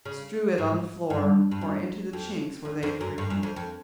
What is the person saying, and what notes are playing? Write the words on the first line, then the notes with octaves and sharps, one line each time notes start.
Strew it on the floor, or into the chinks where they frequent.
C#3
G#2
G2
G2
F#2
F2
E2
F2
F#2
G2
F#2
F2
F2